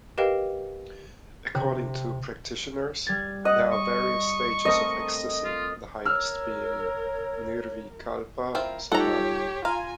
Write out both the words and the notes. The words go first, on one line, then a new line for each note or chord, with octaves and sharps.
According to practitioners, there are various stages of ecstasy, the highest being Nirvikalpa Samadhi.
G4 A#4 B4 D#5 F5 G5
C3
G3 G#6 A6
D#5 F#5
C#6
A3 C4 A#4 D#5
F4
A#4 C#5 E6 F6
C4 E4 F4 A#4
G3 D#4 F4 G4 A4 C#5 F#5 A#5
F4 F5 G#5 A#5